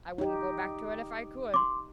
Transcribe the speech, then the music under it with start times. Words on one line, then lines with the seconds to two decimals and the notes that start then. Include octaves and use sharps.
I wouldn't go back to it if I could.
0.18 D#4 G4
1.54 C6 D6